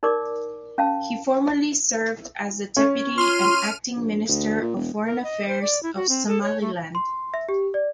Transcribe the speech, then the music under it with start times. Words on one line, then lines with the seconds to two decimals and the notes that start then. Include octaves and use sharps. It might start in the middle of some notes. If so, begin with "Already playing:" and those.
He formerly served as the Deputy and acting Minister of Foreign Affairs of Somaliland.
0.03 D#4 A#4 D5 D6
0.78 C#4 F5 A5
2.77 C#4
3.18 F4 C6 F6 D#7
3.96 A#1
4.28 D2
4.61 A#2
4.76 E1
5.06 A#4
5.23 D#5
5.48 C5
5.62 D5
5.83 E4
5.96 F#4
6.09 C4
6.28 A4
6.42 C#5
6.61 A3
6.95 C6
7.34 E5
7.49 G4
7.74 D5